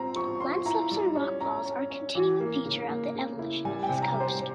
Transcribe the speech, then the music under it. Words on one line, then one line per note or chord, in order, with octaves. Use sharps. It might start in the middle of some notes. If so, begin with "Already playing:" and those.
Landslips and rockfalls are a continuing feature of the evolution of this coast.
Already playing: C4 F4 A#5
F3 C#6
F4 C6
E4 A#5
G3
C#4
C#4 A#5
C#4
C#4
E3
A#3
C#3
A#3
C#3
E4
G3 G#5
G5
C3
A#5
G3
C5
G3